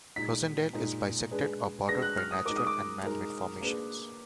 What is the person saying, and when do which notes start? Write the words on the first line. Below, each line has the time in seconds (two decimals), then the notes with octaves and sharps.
Rosendale is bisected or bordered by natural and man-made formations.
0.16 A#2 G#3 D#4 B6
0.73 A#2 G#3 D#4
1.31 G#3 D4 G#4 B4
1.88 G#3 D4 G#4 B4 A#6
2.02 F#6
2.17 F6
2.31 D#6
2.45 G#3 D#4 A#4 D6
2.56 D#6
2.67 D6
3.03 G#3 D#4 A#4
3.61 A#3 D4 G#4 B4